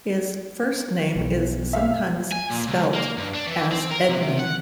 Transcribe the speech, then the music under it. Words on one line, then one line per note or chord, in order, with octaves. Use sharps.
His first name is sometimes spelt as Edmond.
B1
E5 F5
G#5
A#2
C#2
A#3
G2
D4
E3
C4
A#4
C3
F#5